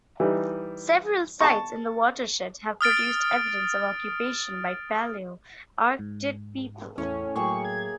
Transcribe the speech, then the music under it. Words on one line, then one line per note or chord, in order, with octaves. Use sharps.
Several sites in the watershed have produced evidence of occupation by Paleo-Arctic people.
E3 G3 D#4
A5 C#6
D#6 F6 A6 D7
G#2
E2 A2 C#4 C#5
A2 F#3 A#3 G#4 G5 C#6
G#6